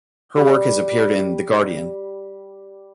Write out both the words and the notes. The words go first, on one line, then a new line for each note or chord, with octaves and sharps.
Her work has appeared in the "Guardian".
G3 G4